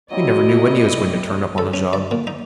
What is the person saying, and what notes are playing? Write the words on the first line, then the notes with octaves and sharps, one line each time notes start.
We never knew when he was going to turn up on a job.
F#3 A#3 C4 E4 D5 D#5
A4
C#4
D5
A#2
D#4